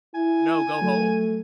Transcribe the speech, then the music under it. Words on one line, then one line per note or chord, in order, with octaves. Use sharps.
"No, go home.
E4 G#5
F#3 A3